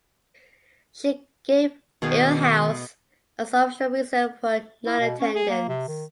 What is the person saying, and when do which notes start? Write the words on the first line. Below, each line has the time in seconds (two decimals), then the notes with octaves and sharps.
She gave ill health as the official reason for her non-attendance.
2.02 B2 D#3 G#4 F5
4.86 E4
5.00 B2
5.20 C#4
5.35 G#4
5.50 A#3
5.69 C3
5.88 D#3